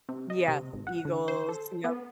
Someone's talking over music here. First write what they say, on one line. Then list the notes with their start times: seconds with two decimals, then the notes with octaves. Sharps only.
Yeah, Eagles, yup.
0.09 C3
0.30 D#5
0.48 C3
0.73 G#1
0.87 F#5
1.05 D3
1.28 C5
1.49 A4
1.84 B3